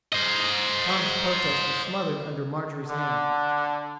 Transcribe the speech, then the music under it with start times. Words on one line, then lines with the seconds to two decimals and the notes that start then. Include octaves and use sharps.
Tom's protest was smothered under Marjorie's hand.
0.12 C5 D#5
2.87 D3